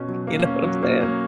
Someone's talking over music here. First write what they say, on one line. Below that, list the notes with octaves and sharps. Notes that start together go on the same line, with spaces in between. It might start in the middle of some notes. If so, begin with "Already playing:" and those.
you know what I'm saying?
Already playing: B2 C#4
F#3
A#3
C#4
F#3
A#3
C#4